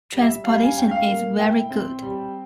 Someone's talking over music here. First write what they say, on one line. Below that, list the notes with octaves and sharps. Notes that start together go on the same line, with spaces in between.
Transportation is very good.
G3
E5
G3 F5
G#5
C#4 G5
F5
A#3
E4 G5
C4
G3